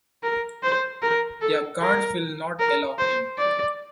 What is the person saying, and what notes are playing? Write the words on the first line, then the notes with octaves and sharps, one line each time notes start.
Their guards will not allow him.
A#4
C5
A#4
A4
A#4
A#4
C5
D5